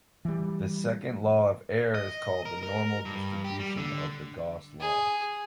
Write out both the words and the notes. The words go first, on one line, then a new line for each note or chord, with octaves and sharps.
The second law of error is called the normal distribution or the Gauss law.
E3 G3
D#5
A#4
A#4
G2
G4
G3
D3
G#4